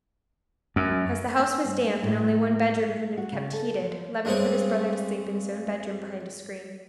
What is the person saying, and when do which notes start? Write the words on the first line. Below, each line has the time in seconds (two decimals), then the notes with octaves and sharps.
As the house was damp, and only one bedroom had been kept heated, Levin put his brother to sleep in his own bedroom behind a screen.
0.76 F#2
1.39 G#5
1.64 G2
2.03 A2
2.89 A3
3.17 F#4
3.32 C#3
3.53 A4
3.81 F3
4.25 G2 G#3 C4 C#5